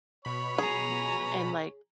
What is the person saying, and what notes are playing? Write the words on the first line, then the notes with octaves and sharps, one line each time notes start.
and, like,
B2 C#5 B5
G#4 G#5 A#5